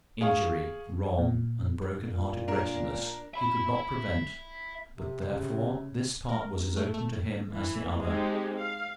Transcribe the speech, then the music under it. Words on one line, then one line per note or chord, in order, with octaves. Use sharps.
Injury, wrong, and broken-hearted wretchedness, he could not prevent; but, therefore, this part was as open to him as the other.
G#4 F5 C#6
A#2
A#2
D4 A#4
E5 B5
C3
C#3
A#4
A3
A3
E3
G#3 C4 D#4 G4
F5